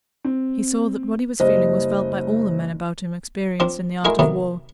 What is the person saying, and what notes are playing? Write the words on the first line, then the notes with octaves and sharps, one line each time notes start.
He saw that what he was feeling was felt by all the men about him experienced in the art of war.
C4
F#1 G3 C5 D#5
F3 C4 D4 F4
G#3 A3 E4 F#4 G#4 A#4
C3 D#3 F#3 G3 A3 B3